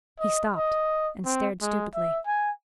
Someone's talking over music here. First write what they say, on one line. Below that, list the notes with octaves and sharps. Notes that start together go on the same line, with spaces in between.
He stopped and stared stupidly.
D#5
D#5
C4
G#3
E5
G#5